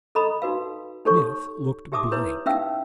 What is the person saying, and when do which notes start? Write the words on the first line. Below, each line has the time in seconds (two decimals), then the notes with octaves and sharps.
Smith looked blank.
0.15 A4 D#5 A#5 B5 D#6
0.42 D#4 F#4 B4 F5
1.05 D#4 G4 A4 C#5 C#6
1.92 D#4 G4 E5 A5 D6 D#6
2.12 E4 B4 C#5
2.46 C#4 D#4 E5 F5 G5 E6